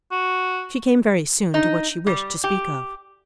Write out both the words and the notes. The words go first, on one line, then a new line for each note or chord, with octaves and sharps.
She came very soon to what she wished to speak of.
F#4
D#4
G3
G4